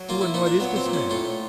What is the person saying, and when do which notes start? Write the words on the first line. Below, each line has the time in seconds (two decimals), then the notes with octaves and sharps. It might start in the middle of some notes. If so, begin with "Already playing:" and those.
"Who and what is this man?"
Already playing: F#3
0.09 A#3 F4
0.21 E4
0.34 A#2 D#4
0.46 D4
0.60 F#3 B3
0.76 C4
0.86 A#2
0.93 C#4
1.10 A2 F4